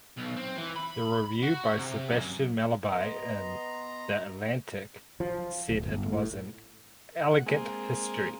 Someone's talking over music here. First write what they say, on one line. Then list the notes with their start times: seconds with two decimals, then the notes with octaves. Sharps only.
The review by Sebastian Mallaby in "The Atlantic" said it was an "elegant history".
0.17 B1
0.36 C4
0.57 E3
0.76 B5
1.43 F#4
1.77 C3
2.11 F#2
2.89 B3 D#5 A#5 C6
5.20 F3
5.69 D1
5.86 G1
6.13 A2
7.31 F#5
7.46 G#3 A#3 C4 G#4